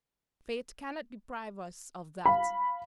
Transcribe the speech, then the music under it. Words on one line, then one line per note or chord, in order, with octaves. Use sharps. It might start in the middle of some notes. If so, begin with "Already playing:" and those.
Fate cannot deprive us of THAT.
F5 B5